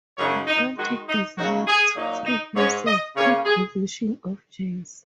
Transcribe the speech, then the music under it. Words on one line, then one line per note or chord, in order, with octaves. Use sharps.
A frantic desire to free himself took possession of James.
F#2 C#3 G#3 D#4 C#5
D#4
D#3 G#3 D#4 F#4
D#4
C#3 F#3 A#3 D#4 F#4
G#4
A#2 F#3 D#4
D#4
G#2 G#3 D#4 C#5
D#5
C#3 A#3 C#4 C#5
G#4